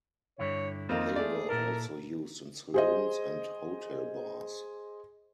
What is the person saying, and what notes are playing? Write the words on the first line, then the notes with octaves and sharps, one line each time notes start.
They were also used in saloons and hotel bars.
G2 D3 E4 C#5
F2 D#3 A#3 C4 F4 C5 D#5
A3 G#4 D5
A#2 E4 A4 A#4
G#4 C5 D#5